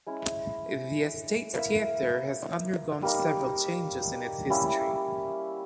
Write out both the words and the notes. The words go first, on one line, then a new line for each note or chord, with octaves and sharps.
The Estates Theatre has undergone several changes in its history.
G#3 C#4 E4
A#3 E4 A#4 E5
G3 A#3 D#4
G3 A#3 C#4 E4